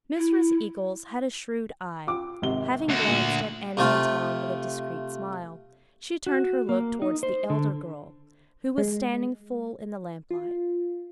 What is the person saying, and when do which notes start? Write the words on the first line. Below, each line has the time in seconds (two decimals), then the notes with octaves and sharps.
Mrs. Eagles had a shrewd eye; having glanced at Annie and Tom with a discreet smile, she turned her look towards the elder girl, who was standing full in the lamplight.
0.17 E4
2.07 F4 G5 D6
2.42 G#1 C3 G7
2.89 D2 F#4
3.08 A#2
3.77 C3 A3 F4
6.27 F#4
6.69 A#3
7.02 D#4
7.23 C5
7.50 D3
8.78 G#3
10.31 F4